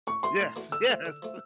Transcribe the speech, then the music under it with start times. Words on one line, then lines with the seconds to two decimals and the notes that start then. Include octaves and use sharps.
Yes, yes!
0.07 A2 C#6
0.23 E3 A3 D4 F#4 C6
0.41 A2
0.56 E3 A3 D4 F#4
0.72 D3 E6
0.89 F3 A3
1.06 D3
1.22 F3 A3